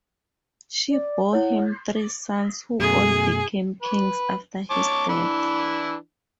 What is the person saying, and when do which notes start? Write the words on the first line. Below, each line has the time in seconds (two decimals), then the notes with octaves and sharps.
She bore him three sons who all became kings after his death.
0.90 D5
1.33 E4 C#5 F#5
2.80 F#2 B2 A3 G#4
3.82 B4
4.70 C#5 A5 D6
5.09 E3 D4 E4